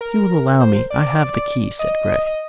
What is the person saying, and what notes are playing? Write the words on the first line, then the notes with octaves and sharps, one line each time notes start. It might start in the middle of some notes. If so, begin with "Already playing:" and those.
"If you will allow me, I have the key," said Grey.
A#4
C5
D5
D#5
D#5